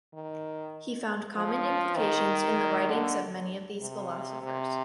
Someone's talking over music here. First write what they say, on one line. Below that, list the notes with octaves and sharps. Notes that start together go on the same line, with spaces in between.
He found common implications in the writings of many of these philosophers.
D#3
F3
D#3
D3
C3
C3